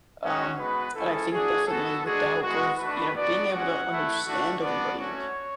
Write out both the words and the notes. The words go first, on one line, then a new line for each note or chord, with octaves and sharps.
um, and I think, definitely, with the help of, you know, being able to understand everybody,
G#3 C#4 F#4
G#3 B3 F#4 B4
G#3 C#4 E4 A4
A3 D4 F#4 G#4
B3 F#4 A4
G#3 D4 F#4 G#4
G#3 B3 F#4
A3 D4 F#4 B4
B3 D4 F#4 D5
G#3 C#4 F#4 F#5
A3 E4
A3 D4 F#4
B3 D4 F#4 D5
A3 C#4 F#4 C#5